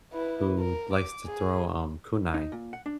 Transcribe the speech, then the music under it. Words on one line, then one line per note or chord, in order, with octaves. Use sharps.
who likes to throw, um, kunai,
E4 B4
A#4
D6
G#4
D#4
A#2
F#5
D4